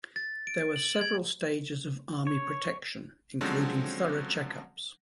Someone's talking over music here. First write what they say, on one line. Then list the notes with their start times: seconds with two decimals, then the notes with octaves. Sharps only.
There were several stages of army protection including thorough checkups.
0.16 A6
0.47 D7
0.76 F#7
1.01 G#6
2.27 C#5
3.41 D3 F3 F#3 G#3 C4 C#4